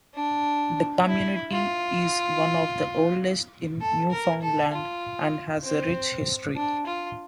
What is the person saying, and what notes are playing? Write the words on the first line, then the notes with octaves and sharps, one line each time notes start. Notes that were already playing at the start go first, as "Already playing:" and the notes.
The community is one of the oldest in Newfoundland and has a rich history.
D4
E4
F4
A4
A#4
A4
F4
C4
D4
F4